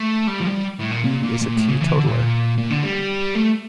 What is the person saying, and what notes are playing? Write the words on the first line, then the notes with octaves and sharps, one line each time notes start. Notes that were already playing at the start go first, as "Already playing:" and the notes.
Bee is a teetotaler.
Already playing: A3
G3
F3
G3
A2
A#2
A#2
A#2
A#2
A2
C#3
E3
D3
A#2
A#2
D3
G3
A3